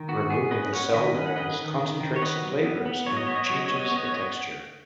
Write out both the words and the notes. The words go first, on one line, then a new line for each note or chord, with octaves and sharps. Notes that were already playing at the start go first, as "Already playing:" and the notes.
Removing the cell walls concentrates the flavours and changes the texture.
Already playing: D#3
B3 F#4
B3 G#4
C#4 B4 D#5
C#4 C#5 F#5
D#3 B4 D#5
C#4 B4 D#5
F#5
D#3 B4 D#5
D#3
D#3
D#3
C#5
B3 B4 D#5
F#3
B3
B3
F#3 C#5
D#5
B3 C#5
D#5
F#3 C#5
D#5
C#5
B3
D#5
C#5
B3 D#5
C#5
B3 D#5